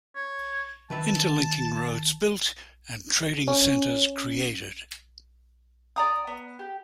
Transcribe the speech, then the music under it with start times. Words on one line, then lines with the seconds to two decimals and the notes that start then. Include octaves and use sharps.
Interlinking roads built and trading centers created.
0.15 C#5
0.90 D#3 B4 E5 A5
3.48 C#4
5.96 D5 A#5 D#6
6.27 B3
6.59 G4